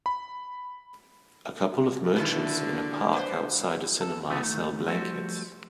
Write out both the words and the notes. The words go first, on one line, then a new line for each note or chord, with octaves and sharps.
A couple of merchants in a park outside a cinema sell blankets.
B5
B2 D3 D#3 E4 A4 B4
B4 C5 D5
A4
C#3 E3 A3 B3 D#4 G#4
D#2 D#3 A3
F3 G3 A3 F#4 C5